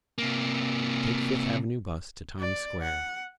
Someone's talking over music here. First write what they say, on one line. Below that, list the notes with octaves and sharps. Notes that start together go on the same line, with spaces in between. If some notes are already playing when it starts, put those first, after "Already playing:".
Take Fifth Avenue Bus to Times Square.
C3 A#3
D5
F#5